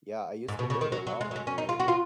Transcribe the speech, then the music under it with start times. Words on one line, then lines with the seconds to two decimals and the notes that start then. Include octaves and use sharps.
Yeah, I used to hear it a lot on the radio,
0.48 G#2
0.59 B2
0.70 C#3
0.81 D#3
0.92 F#3
1.07 F#3
1.21 G#3
1.31 F#3
1.36 G#3
1.47 C#4
1.58 D#4
1.69 F4
1.80 F#4
1.88 F4